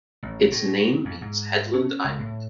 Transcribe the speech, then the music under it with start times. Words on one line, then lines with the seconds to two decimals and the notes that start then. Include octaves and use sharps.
Its name means 'headland island'.
0.23 A1
0.51 A2
1.05 F2
1.21 G#2
1.73 C#4
2.04 C#2
2.19 A2